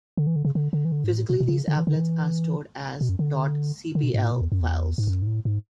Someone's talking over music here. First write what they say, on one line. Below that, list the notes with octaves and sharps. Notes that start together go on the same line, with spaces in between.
Physically, these applets are stored as ".cpl" files.
D3
E3
D3
C#3
D3
D3
E3
D3
G#2
A2
B2
B2
C#3
D3
E3
D3
E3
B2
F#2
D3
D3
B2
G#2
A2
B2
E2
F#2
E2
G#2
F#2
G#2
A2
G#2